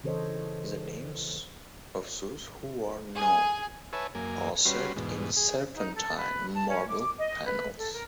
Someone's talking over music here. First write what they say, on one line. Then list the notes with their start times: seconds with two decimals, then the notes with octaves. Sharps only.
The names of those who are known are set in serpentine marble panels.
0.04 C#3 E3 A4 C5 C#5 D#5
3.15 G#4
3.93 B4 C#5 E5 G#5 A5
4.15 F#2 A#3 G#5
4.65 G3 C#4 F#4 B4 C6
4.96 E2 G#2 B2
5.37 G#4
5.75 D#4
5.94 A4
6.16 B4
6.54 A5
6.68 C#4
6.88 D6
7.17 D#5
7.45 B4
7.77 A4
7.92 A#4